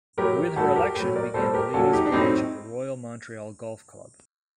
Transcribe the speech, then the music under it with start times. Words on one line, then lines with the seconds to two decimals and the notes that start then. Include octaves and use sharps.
With her election, began the Ladies' Branch of the Royal Montreal Golf Club.
0.18 A2 F#3 G4 A#4
0.56 A2 G3 F#4 A4
0.76 G4 A#4
0.96 A2 F#3
1.16 A#4 D5
1.34 A2 G3 A4 C5
1.54 G4 A#4
1.74 A#2 F#3 F#4 A4
1.93 D#4 G4
2.06 D4
2.12 A2 F#3 C4 D#4